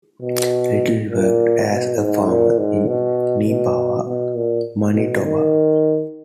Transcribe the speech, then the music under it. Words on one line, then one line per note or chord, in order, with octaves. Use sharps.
Little worked as a farmer in Neepawa, Manitoba.
B2
A#2
B2
G#2
A#2
G#2
B2
B2
B2
A#2
B2
D#3